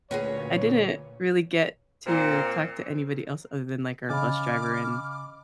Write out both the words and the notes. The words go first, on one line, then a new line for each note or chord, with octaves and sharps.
I didn't really get to talk to anybody else other than, like, our bus driver and
D2 A#2 C#4 F#4 G#4 B4 C#5
A#2 C4
C#3 D#5 F5 G#5 B5 D6 F6 A6